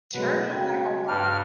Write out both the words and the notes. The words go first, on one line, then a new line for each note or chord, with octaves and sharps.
turning my whole body?
B2 F#3 G#3 A3 B4 F#5
C#3 F#4 G5 G#6
G2 B4 A5 D6 F6